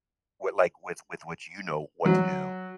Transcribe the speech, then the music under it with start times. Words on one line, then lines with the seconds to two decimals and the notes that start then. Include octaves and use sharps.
what, like, with with which you know what to do
2.05 F#3